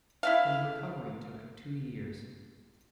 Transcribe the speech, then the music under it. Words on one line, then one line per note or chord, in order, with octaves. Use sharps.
His recovery took two years.
E4 E5 F5